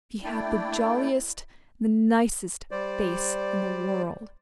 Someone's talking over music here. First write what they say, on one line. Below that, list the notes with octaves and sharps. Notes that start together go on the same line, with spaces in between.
She had the jolliest, the nicest face in the world.
A3 A#3 D4 E4 D5 G5
G3 C5 D5